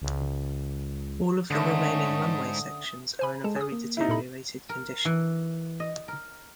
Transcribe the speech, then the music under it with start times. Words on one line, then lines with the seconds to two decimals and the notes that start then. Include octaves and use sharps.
All of the remaining runway sections are in a very deteriorated condition.
0.02 C#2
1.51 G#2 D3 A3 C#4 D#6
3.19 C5 G#5 B5
3.44 G#3 A4 A5
3.56 G#4 D#6 E6
3.72 A#3
3.97 D#4 E4
4.09 A#2 A4 B5
4.69 A#4
5.05 E3
5.80 D#5
6.08 A#4